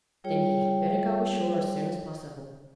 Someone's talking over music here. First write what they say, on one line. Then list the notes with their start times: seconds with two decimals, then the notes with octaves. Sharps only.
Then he had better go ashore as soon as possible.
0.24 G3 F4 G#4 C#5 G5